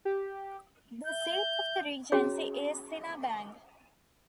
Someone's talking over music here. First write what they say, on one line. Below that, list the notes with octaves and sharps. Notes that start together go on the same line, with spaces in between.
The seat of the regency is Sinabang.
G4
E5 G6
C#4 F#4 G#4 C#5